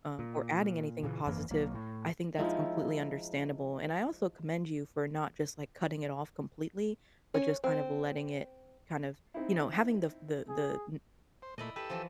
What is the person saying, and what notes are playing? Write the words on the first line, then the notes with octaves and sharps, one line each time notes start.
um, or adding anything positive, I think that's completely understandable, and I also commend you for not just, like, cutting it off completely, but just kind of letting it, kind of, you know having the the kn the
A#2
A#2 C#3 E3
G#1 F#2 E3 A#3
B1 F#3 A#3
A2
F3 G#3 D#4 E4
C#4
C4
C4 D#4 E4
G#4
C5
A#2 A3 E4 D5 D#5
G4 A4 B4 E6
E3 F3